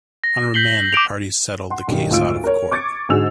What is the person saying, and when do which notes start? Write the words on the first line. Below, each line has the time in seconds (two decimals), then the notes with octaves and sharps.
On remand, the parties settled the case out of court.
0.24 A#6
0.54 G6 B6 C7 F#7 G7
0.93 D6 G6 D7 F7
1.70 F#5 C6
1.88 B1 G2 D#3
2.10 D2 G#2 F4 E6 D7
2.44 A#4 C#5
2.71 C#6 D6 G#6 A6 C#7
3.09 G#2 D3 F#4 G#4 E6 F7